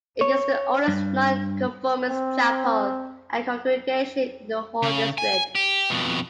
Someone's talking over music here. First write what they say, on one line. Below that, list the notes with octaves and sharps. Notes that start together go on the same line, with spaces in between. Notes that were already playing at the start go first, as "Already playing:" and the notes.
It is the oldest Non-conformist chapel and congregation in the whole district.
C#5
G2
C4
C#3
G#5
G4
F2 B2